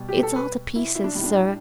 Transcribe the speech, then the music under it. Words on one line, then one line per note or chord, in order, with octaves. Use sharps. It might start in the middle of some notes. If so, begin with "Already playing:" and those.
'It's all to pieces, sir.
Already playing: B2 G3
G4
A4
B4
E4
E4
D4
A2 G3
D4